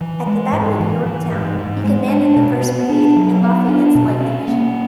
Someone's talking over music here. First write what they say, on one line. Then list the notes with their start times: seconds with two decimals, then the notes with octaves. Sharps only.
At the Battle of Yorktown, he commanded the first brigade in Lafayette's Light Division.
0.01 E3
0.26 G#3
0.52 G#2
0.79 E3
1.06 E3
1.32 G#2
1.58 G#2
1.84 G#3
2.11 D4
2.36 B2
2.62 B3
2.89 D4
3.16 F#3
3.41 B3
3.68 D4
3.95 B2
4.21 C#4
4.48 A#3